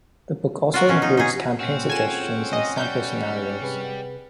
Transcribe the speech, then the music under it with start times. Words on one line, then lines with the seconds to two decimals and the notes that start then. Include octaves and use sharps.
The book also includes campaign-suggestions and sample scenarios.
0.74 F4 F#4 A#4
0.89 B2 C#4
1.02 D#4
1.17 D#4 G#4
1.60 A#2 A#3 C4 C#4 F#5
1.90 F4 G#4 A4 G#5 E7
2.53 D#5 G#5
2.78 G3 D5 G6
3.62 C3 G#4 B4